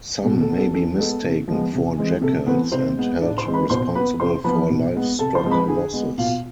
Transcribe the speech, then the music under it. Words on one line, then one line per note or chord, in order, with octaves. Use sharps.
Some may be mistaken for jackals and held responsible for livestock losses.
B2 A4
A4
B3
A4
E3 A4
G#3 B3 A4
C3
F3 G#3 B3
C3
E3 G#3 C4
C3 A4
E3 A3 B3 C4 B4
C3 C4 C5
G#3 B3
A2 D4 D5
C5 C6
E3 G#3 C4
B4 B5
B2 C5 C6
B3 B4 B5
C3 C5 C6
F3 B3 B4 B5
B2
G#3 B3
C3 A4 A5
C5 C6
F3 G#3 C4
B4 B5
D3 G#4 G#5
G#3 B3
B2 F4 F5